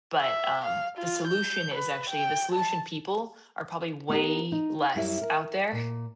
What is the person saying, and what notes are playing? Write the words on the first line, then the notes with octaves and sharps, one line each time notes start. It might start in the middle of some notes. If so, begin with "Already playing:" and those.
but, um, the solution is actually the solution people are probably way less out there
E5
F5
F4
G6
B4
G5
A5
B3 D#4 G4 A#4
D#4
F#2 G3 E4 E5
A#4
A#2